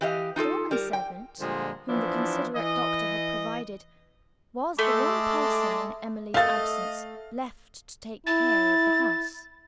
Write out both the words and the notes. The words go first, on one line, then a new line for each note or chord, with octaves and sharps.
The woman-servant, whom the considerate doctor had provided, was the one person in Emily's absence left to take care of the house.
E3 G4 D#5 F5
D#4 F4 G4 A4
G3 A#4
G5
A#2 D3 F3 G3 G#3
E3 F3 B3 D4 E4
E3 D#5
G#3 A3 A5 D6
A3 D#5 F5 A6
E4 A6